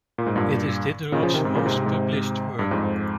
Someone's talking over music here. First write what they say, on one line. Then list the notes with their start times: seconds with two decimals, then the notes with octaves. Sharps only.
It is Diderot's most published work.
0.18 A#2
0.26 G#2
0.36 G2 A#2
1.12 A#2 C#3
1.23 C#3 F3
1.34 C3 D#3
1.44 G#2 C3
1.55 A#2 C#3
1.66 G#2 C3
1.76 G#2 C3
1.86 G#2 C3
2.59 G2
2.71 F2 G#2